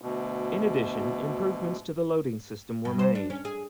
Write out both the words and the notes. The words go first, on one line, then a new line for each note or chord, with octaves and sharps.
In addition, improvements to the loading system were made.
D2 B2
G2
C5
D4
C#4
G#4